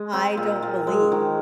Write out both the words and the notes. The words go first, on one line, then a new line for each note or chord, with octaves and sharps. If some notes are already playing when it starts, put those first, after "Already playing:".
I don't believe
Already playing: G#3
C4
A#2
A#2
G#3
D#3